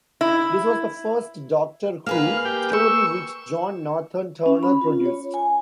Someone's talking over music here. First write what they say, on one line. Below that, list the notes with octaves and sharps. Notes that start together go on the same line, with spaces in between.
This was the first "Doctor Who" story which John Nathan-Turner produced.
E4
A#3 G#4 B4 F5
G4
C#6 E6
C#4
B5
F4
C#5
G#5